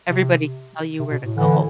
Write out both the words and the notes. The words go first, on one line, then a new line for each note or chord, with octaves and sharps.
everybody will tell you where to go,
C3
C3
B2
A2
D3 E3